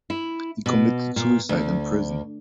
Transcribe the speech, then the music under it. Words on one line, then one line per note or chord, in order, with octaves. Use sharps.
He committed suicide in prison.
E4
B2
A#2
D2